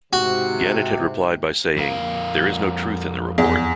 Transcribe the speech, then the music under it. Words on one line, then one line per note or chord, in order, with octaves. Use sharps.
Gannett had replied by saying: There is no truth in the report.
G#2 C3 F#4
F2 A#4 F5
E2